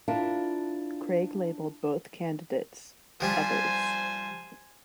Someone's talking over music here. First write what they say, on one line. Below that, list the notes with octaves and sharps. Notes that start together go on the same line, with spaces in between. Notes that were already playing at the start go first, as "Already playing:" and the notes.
Craig labelled both candidates: "Others".
D4 E4 F4 A#4
F3 G3 D4 C5 G#5